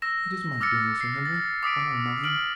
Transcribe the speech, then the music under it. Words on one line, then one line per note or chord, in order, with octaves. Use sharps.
It is my doing, Sir Henry--all mine.
E6 A#6 E7
D6 E6 F6 A6 C#7
C7
A6
D6 D#6 B6 D7
F6 D7 F#7